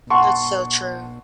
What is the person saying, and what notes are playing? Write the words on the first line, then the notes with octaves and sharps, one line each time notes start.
That's so true.
F#5 A5 C6 C#6